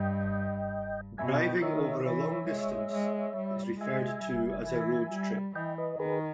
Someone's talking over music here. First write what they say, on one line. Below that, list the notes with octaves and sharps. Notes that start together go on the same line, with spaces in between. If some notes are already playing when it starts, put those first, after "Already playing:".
Driving over a long distance is referred to as a road trip.
Already playing: G2 D#5 G5
B2 E5 G#5
D#5 G5
D#3 C#5 E5
C#5 E5
E3 C#5 E5
G#3
G#3
G3
G#3 E5 G#5
G3
E3
G3
E3 D#5 G5
B4 D#5
D#3 G#4 B4